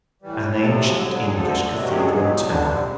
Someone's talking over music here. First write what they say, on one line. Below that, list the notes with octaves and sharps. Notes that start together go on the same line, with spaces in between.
An ancient English Cathedral Tower?
A2 E3 G3
D2 C3 F3 A4
D#2 D3 F#3
G#4
D2 D3 F3 A4
D2 C3 D#3 F#3
F#4
G4
G#4
E2 B2 F#3 A4
G#4
G4
D#4
G2 D3 F3 D4
C#3